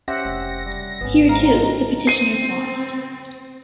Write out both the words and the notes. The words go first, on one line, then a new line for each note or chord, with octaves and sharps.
Here too, the petitioners lost.
C#4 G4 C5 E5 F#5 A#6
F1
G3
G#1 B3 C#4
G#3 C4 D4 F5 A#5
C4 C7 D#7